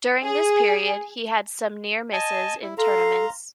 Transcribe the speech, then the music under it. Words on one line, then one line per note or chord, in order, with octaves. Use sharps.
During this period he had some near-misses in tournaments.
G#4
D#5 G#5 A5
E4
A4 F5 A#5 C6